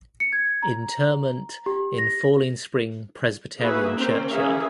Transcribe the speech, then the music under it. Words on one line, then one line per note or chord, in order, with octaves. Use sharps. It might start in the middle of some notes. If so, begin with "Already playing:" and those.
Interment in Falling Spring Presbyterian Churchyard.
C#7
G#6
A#5
G4
A#6
A#3 D#4 F#4 G#4 B4 E5
A#3 C4 C#4 A#4 C5
E3 C#4 G#4 A#4 E5 F5